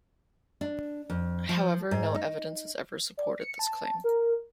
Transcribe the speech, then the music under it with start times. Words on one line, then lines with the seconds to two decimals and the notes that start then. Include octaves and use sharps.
However, no evidence has ever supported this claim.
0.61 D4
1.10 F2
1.49 F3
1.91 G#2
2.14 D#4
3.17 D5
3.40 C#7
3.59 A5
4.04 A#4